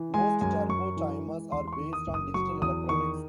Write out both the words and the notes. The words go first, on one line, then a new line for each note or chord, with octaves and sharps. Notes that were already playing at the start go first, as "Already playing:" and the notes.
Most turbo timers are based on digital electronics.
Already playing: E3
G#3 G#5
F#2 G#5
F#2 C#6
E3
G#3
E2 C6
C6
C#6
D#3
D#6
F#1
D#6
F#3 C#6
E2 D#6
D#3 C#6